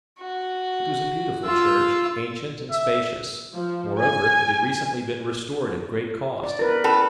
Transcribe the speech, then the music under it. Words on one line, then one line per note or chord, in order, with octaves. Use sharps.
It was a beautiful church, ancient and spacious; moreover, it had recently been restored at great cost.
F#4
F4 E6
E5
F3
G#5
D5
E4 A#4 B4
C#4 E4 A4 B5